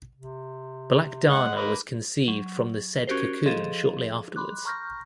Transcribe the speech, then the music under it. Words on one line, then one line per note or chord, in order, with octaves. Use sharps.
Black Darna was conceived from the said cocoon shortly afterwards.
C3
G#3 F#5
A#3 B4
F#3
C#4 F#4 G4 A#4 C5
F3 G#4 A4 D#5
B5 C6 D6 F#6
A#5 C#6 F6 G6 A#6